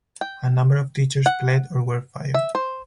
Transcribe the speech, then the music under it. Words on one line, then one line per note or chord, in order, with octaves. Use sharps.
A number of teachers fled or were fired.
G5
F#5
E5
C5